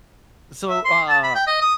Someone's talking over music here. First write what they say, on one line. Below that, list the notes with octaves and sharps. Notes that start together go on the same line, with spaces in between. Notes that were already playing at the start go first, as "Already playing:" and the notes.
So, uh,
E5
C6
A5
B5
G5
D#5
D#6